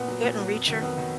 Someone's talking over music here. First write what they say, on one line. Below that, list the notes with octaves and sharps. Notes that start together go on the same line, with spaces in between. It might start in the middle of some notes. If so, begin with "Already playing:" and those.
Didn't reach her.
Already playing: A#2 B3
F#3
A#2
F#3
F2
D#3 F#3
F2 B3
D#3 F#3